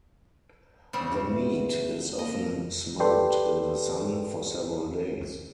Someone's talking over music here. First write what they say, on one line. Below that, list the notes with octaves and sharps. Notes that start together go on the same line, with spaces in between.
The meat is often smoked in the sun for several days.
C#3 G3 C4
E2
A#3 D#5
G4 A4 B4 D5 G5 C6